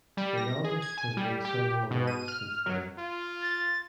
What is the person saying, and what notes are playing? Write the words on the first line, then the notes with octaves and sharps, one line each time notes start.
Ronaldus has won several awards since then.
G3
A#6
G#4
G#6
G#5
G3
G4
B2
D#7
F6
F#3
F4
A6